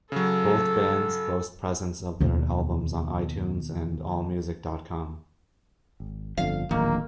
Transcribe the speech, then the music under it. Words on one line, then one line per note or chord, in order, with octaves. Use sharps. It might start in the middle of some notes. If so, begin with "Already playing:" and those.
Both bands boast presence of their albums on iTunes and Allmusic.com.
C#3 F#3 A4
D#2 B2
G#1
G1 F2 D3 F5
D1 A#1 D#3 A#3